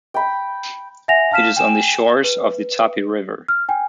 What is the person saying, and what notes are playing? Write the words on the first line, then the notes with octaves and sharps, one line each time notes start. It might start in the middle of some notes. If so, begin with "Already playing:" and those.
It is on the shores of the Tapi River.
G5 B5
E5 F#5 G#5 A#6 F7
F5 A5 F6 B6 E7
G5 G#5 E7
B4
F6
G5 G#5